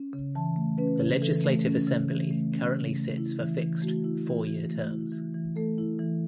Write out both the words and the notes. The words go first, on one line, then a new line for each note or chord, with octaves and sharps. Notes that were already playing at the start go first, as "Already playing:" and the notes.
The Legislative Assembly currently sits for fixed four-year terms.
Already playing: C#4
C#3
E3 A5
A3
C#4 B4
C#3
E3 A4
A3
C#4
C#3
E3
A3
C#4
C#3
A3
E4
E3
E3
A3 F#4
E4
E3
E3
A3
E4
E3
E3
A3 A4
E4
E3